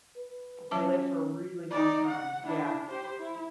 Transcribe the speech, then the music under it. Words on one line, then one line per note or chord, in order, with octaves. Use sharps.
they live for a really long time, yeah.
B4
F#3 C#4 A5 D6
D#4 D5
F#5
D4 E4
G4 C5
E4